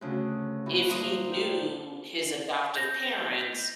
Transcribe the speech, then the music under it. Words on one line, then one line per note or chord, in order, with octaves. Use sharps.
if he knew his adoptive parents,
D2 C#3 F#4
D2 A#2 E3 F#4 B5
G2 E4 C5 A#5 D#6
D4 F4 G4 G5
G6 A#6